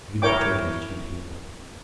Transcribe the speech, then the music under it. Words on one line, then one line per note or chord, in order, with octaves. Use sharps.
He's very bitter against you people.
E4 A#4 C#5 G5 D6